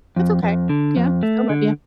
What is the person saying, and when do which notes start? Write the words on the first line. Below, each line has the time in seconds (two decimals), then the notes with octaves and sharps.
That's okay. Yeah. Still love ya.
0.16 F2
0.43 F2
0.69 D3
0.96 F2
1.23 A3
1.49 D3